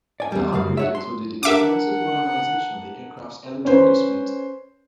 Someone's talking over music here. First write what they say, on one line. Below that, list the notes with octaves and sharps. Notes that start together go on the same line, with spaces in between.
The upgrade included extensive modernisation of the aircraft's electronic suite.
D5 G#5
E2 G3
F#2 C#3 G3 F5
F#4 C#5 E5
C6
D4 A#4 E5 F#5 D6
C#4 B4 C5